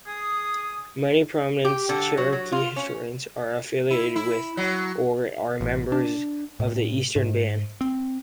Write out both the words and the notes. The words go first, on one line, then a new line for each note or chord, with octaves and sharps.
Many prominent Cherokee historians are affiliated with, or are members of the Eastern Band.
G#4 D#6
G4
D3
F#3
F#3
F4
C#4
E4
E4
F#3
A1
D4
A2
G#2
C4